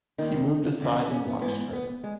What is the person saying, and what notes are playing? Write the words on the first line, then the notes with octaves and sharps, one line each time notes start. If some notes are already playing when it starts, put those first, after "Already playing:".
He moved aside and watched her.
D#2 D#3 D#4
D#4
E2 C#3 E3
C#4
B3
G#2 E3 B3
B3
G#3